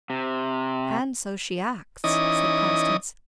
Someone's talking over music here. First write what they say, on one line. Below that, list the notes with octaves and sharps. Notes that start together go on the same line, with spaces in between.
"And so she acts," said Constance.
C3
E3 C#4 D#4 D5 D#5 D#6